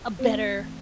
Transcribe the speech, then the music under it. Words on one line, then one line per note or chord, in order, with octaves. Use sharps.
a better
G2 C4 C5
E3 A3